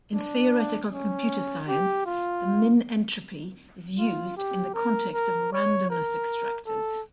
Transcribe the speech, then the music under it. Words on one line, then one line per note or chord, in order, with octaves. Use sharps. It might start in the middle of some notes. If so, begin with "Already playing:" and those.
In theoretical computer science, the min-entropy is used in the context of randomness extractors.
D4
C#4
G4
F4
F4
G4
A#4
A#4
C#5
A#4
A4